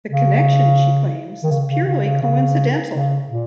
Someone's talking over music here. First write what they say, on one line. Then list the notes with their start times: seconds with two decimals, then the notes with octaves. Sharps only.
The connection, she claims, is purely coincidental.
0.09 C#3
1.43 D#3
1.51 C#3
1.70 C#3
1.87 C#3
2.04 C#3
2.22 C#3
2.94 C#3
3.30 A#2